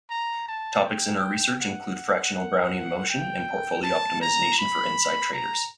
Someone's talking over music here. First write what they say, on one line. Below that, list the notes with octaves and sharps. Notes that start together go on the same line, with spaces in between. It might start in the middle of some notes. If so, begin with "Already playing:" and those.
Topics in her research include fractional Brownian motion and portfolio optimization for inside traders.
A#5
A5
G5
F#5
F#5
G5
A5
A#5
B5
A#5